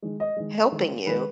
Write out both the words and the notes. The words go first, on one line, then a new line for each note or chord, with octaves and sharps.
helping you.
D#3 G#3
D#5
D#3 G#3
D#3 G#3
D#3 G#3 B4